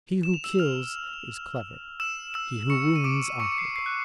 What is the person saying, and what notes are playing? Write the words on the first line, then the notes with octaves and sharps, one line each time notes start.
He who kills is clever, he who wounds awkward.
E7
F7
E6 E7
F6 F7
E6 E7
E6 E7
C#6 C#7
D#7
D6 D7
C#6 C#7
C#7
C7
C7
F#6